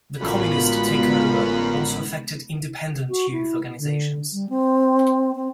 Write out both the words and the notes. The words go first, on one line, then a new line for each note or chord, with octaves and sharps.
The communist takeover also affected independent youth organisations.
A1 F#2 D3 G#3 B3 F4 B5
F#4
E4
D3
G3
C4
C4